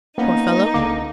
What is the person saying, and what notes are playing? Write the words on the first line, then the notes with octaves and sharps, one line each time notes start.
Poor fellow!
A#3 B3 C#4 D#4
C#2 D3 A#3 D6